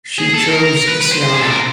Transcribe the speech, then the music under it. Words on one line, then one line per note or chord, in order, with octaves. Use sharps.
She "chose" Isyana.
G#4
A4
A#4
A#4
A#4
B4
B4
C5
G#4
A4
A#4